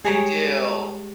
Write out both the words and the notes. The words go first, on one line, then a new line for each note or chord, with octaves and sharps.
they do.
G#3 G4 G#4 C#5 A#5